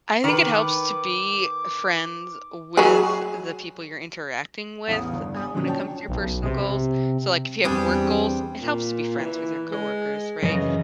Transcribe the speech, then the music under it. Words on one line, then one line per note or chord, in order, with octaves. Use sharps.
I think it helps to be friends with the people you're interacting with, uh, when it comes to your personal goals. So, like, if you have work goals, it helps to be friends with your coworkers, right?
D#3 B4 D6
F#3 G#4
A1 E2 F5 D#6
G1 D4
G#5 D#6
A#2 D3 F3 F#3 C#4 D4
C#5 G5 A5
B1
C3
E2 E3 G3 C4 D4 G#4
A#2
E3
G#3
F#2 C#3 E3 D#5